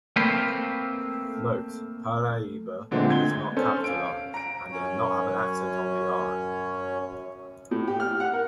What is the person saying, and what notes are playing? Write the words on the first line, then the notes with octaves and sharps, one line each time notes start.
Note "paraiba" is not capitalized, and does not have an accent on the "i".
A3 A#3 C4 B4 C5 F5
A#2 D3 G#3 A3 C4
G#6 G7
C#4 A4 C5
F5 D7
A#5 D7
F#2 C#4 C#5
A2
G4
F6
F#5
A#4